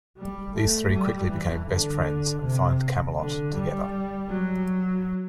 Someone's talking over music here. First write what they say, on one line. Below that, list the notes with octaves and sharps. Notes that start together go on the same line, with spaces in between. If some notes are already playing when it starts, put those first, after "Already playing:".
These three quickly become best friends and find Camelot together.
G3
A3
G3
E3
D3
C3
D3
G3
F#3